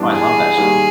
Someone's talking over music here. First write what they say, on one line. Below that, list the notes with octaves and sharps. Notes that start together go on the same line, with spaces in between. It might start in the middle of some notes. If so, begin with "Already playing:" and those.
Oh, I love that show.
Already playing: G2 E3 G3 B3 D4
G#4
D#3 G3 A#3